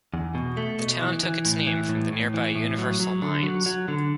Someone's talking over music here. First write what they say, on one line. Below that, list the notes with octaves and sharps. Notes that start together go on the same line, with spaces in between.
The town took its name from the nearby Universal Mines.
E2
B2
A3
B2
E3
E3
A2
E3
A2
A2
E3
A2
F#3
F#3
D3
F#3
F#3
D3